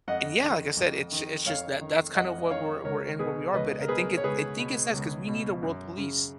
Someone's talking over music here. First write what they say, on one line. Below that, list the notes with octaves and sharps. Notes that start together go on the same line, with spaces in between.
and yeah, like I said, it's it's just that that's kind of what we're we're in, where we are. But I think it I think it's nice 'cause we need a world police.
F2 D#5 F#5
D#3
F2
D#3
F2 C#5 F5
D#3
F2 D#5 F#5
D#5
D#3 C#5 F5
C#2 A#4 C#5
B2 G#4 B4
C#2 B4 D#5
A#4
B2 G#4 B4
C#5
C#2 G#4 B4
B2
C#2
B2
F#2
C#3